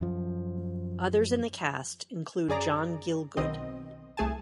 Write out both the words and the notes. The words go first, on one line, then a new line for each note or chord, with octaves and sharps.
Others in the cast include John Gielgud.
F#2 F3
F#2 G#4 D5 A#5
B1 B2 D#3 C4 D#5
C2 A3 G#4 G#5 A5